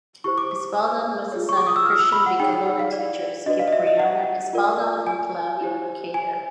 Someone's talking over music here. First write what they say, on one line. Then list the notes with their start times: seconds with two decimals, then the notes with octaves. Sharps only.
Espaldon was the son of Christian Bicolano teachers Cipriano Espaldon and Claudia Mercader.
0.24 E4 G4 C5 C#6
0.38 D6
0.51 D6
1.32 F4 G#4 C#5
1.49 C#6
1.57 D6
1.67 D#6
1.76 E6
1.86 F6
1.99 E6
2.12 B5
2.26 F#5
2.40 D#4 G#4 C#5 G5
2.53 G5
2.66 F#5
2.79 F5
2.92 D5
3.46 D4 F#4 B4 D5 D#5
3.59 F5
3.68 D#5
3.73 E5
3.87 D#5
4.00 F#5
4.53 F4 A#4 D5
5.07 G#5
5.61 E4 G4 C5
6.14 G#5